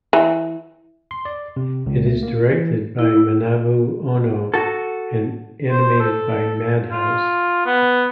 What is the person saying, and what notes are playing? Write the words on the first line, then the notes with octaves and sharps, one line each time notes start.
It is directed by Manabu Ono and animated by Madhouse.
E3
C6
D5
C3
C#2
A3
A#3
E3
E4
F#4 A4
C5
A4
F4
B3